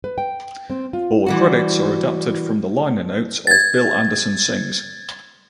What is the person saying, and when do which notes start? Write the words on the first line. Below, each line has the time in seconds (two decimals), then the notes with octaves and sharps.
All credits are adapted from the liner notes of "Bill Anderson Sings".
0.04 B4
0.18 G5
0.70 C4
0.93 F4
1.26 E3 G3 F#4
3.47 G#6 A6